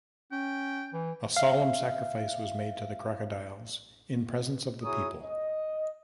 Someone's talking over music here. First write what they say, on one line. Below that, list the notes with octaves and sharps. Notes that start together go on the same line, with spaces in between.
A solemn sacrifice was made to the crocodiles in presence of the people.
C#4 G5
E3
E5 F5
E4 F#4 G#4 C#5 A#5 D#6
D#5